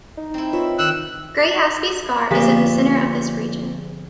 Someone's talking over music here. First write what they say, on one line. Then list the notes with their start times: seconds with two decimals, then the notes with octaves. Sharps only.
Great Asby Scar is in the centre of this region.
0.17 D#4
0.34 C4 E4
0.53 F4 B4 C#5 E5
0.79 D#3 E6 F#6
2.31 A#2 D3 F3 G#4 B5